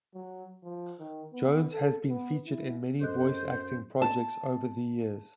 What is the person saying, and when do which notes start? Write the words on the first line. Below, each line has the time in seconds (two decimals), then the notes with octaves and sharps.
Jones has been featured in many voice acting projects over the years.
0.15 F#3
0.63 F3
0.99 D#3
1.33 B3
1.72 A4
2.10 B3
2.46 E4
3.01 F#2 A4 C5 D#5 F#6 G6
4.02 A5